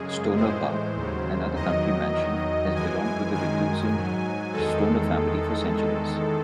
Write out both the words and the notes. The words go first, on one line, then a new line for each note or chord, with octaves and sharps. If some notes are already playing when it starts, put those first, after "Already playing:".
Stonor Park, another country mansion, has belonged to the recusant Stonor family for centuries.
Already playing: F#2 C#3 G#3 G#4
A2 E3 G#3 C5
D#2 C#3 F#3
E2 D#3 F#3 D#5
E2 D#3 F#3
F#2 E3 G#3 G#5
G#5
F#2 D#3 G#3 G#5
G#2 F#3
E2 D#3 G#3 A4